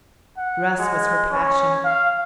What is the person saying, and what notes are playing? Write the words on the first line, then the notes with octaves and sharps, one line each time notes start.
Dress was her passion.
F#5
G#3
C#4
F5